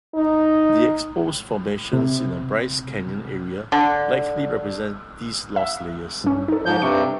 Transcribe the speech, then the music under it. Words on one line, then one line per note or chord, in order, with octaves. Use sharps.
The exposed formations in the Bryce Canyon area likely represent these lost layers.
D#4
C3
D3
E5
G2 C#4
D#4 A4
G#2 F3 G6
G2 C3 C#6